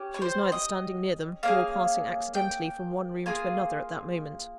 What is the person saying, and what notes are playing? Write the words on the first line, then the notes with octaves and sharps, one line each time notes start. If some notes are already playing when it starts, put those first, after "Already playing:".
She was neither standing near them, nor passing accidentally from one room to another at that moment.
Already playing: C#4 G4
C#5
C5
D#5
A#3 C#4 G#4 F5
G5
A#3 F4 G#4 G#5